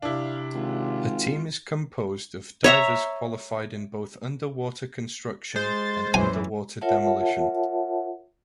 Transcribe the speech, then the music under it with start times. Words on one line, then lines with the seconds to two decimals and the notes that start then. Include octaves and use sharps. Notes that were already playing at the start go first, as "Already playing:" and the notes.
A team is composed of divers qualified in both underwater construction and underwater demolition.
0.02 C3 D4 E4 F5
0.54 G#1 F4
2.64 C#5 E5 A#5
5.56 G#3 C5 A6
6.14 F#2 E3 G#5
6.81 F4 A#4 C#5 E5 F#5 A5